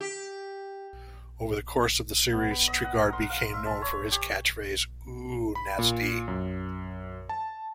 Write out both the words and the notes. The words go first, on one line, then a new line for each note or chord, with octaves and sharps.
Over the course of the series Treguard became known for his catchphrase Ooh, nasty!
G4
B3
B5
D#5
F#5
A#4
C6
F5
E5
A5
C#5
G4
B5
A#2
F#2
A5